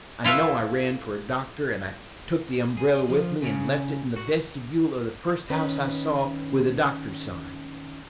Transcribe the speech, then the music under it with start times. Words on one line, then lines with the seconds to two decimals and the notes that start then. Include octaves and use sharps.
I know I ran for a doctor, and I took the umbrella with me and left it in the vestibule of the first house I saw with a doctor's sign.
0.24 E4 F4 A4 B4 E5
2.77 G#4
3.09 F3
3.42 C#3
4.16 F#4
5.50 D#3 C#4 B4